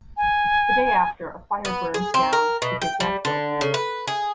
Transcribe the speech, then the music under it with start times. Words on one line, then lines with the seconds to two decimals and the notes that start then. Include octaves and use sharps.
The day after, a fire burns down "The Gazette" building.
0.17 G#5
1.65 B3
1.94 G#4
2.14 C4
2.33 A#4
2.62 B2
2.81 G5
3.00 G3
3.25 D3
3.61 C#3
3.74 B4
4.08 G#4